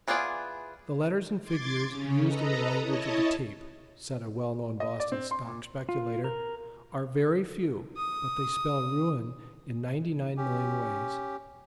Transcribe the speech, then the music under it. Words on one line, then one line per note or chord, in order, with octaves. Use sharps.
"THE letters and figures used in the language of the tape," said a well-known Boston stock speculator, "are very few, but they spell ruin in ninety-nine million ways."
E3 B3 F4 G#4 D5
C6 D6 G#6 A6
C#3 C#4
A4 B4 D#5 A#5
E4 C#5 D#5 A5
D#5
D5
C4
C6
A#2
F4
A#4
D#6
C#4 G4